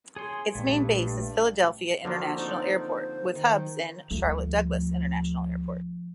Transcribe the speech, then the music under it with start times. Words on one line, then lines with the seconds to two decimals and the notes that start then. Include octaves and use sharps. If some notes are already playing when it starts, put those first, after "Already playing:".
Its main base is Philadelphia International Airport with hubs in Charlotte Douglas International Airport.
0.16 G#4 C#5 C6
0.55 A#1 G2 A#2 A3
2.05 D3 F3 A#3 F#4
2.37 C4 D#4 C5 D5
3.35 D#3
4.11 D2 F3 G3 A3